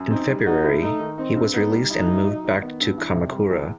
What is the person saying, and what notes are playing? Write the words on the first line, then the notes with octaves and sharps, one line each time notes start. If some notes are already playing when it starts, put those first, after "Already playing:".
In February, he was released and moved back to Kamakura.
Already playing: F#2
C4 D#4
G3
D#4 F#4
A2
A3 D#4
D#3
C4 D#4
G2
B3 D#4
G3
D#4 E4
A2
F#3
D#3
B3
G2
E3
C3
G3
E2